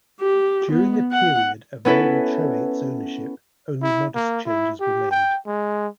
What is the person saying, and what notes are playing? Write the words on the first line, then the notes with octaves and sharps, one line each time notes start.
During the period of Mabel Choate's ownership only modest changes were made.
G4
B3
F#5
B3 C#4 E4 A4 B4
E4
A#3
E4
G4
G5
G#3